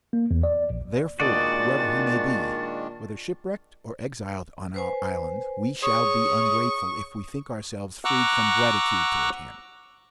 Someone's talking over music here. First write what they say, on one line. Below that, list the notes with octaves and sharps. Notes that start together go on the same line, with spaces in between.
Therefore, whoever he may be, whether shipwrecked, or exiled on our island, we shall be ungrateful, if we think ourselves freed from gratitude towards him.
A#3
E2
D5
A#1
A#2 D#3 G#3 D4 F#4 D5 D#5 A6
B4 C5 G#5
G#4 C#5 C#6 D#6
F#5 A#5 C#6 D6 E6 F#6